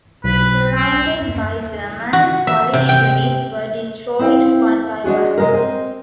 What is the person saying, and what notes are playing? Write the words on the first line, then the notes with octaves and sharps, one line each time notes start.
Surrounded by Germans, Polish units were destroyed one by one.
B1 B4
C4
F#4
E5
C3
G5
C4 E4 C5 C#5 F5 G5
G#3 D4 F#4 G#4
C3 G#3 A#4
C4 D#5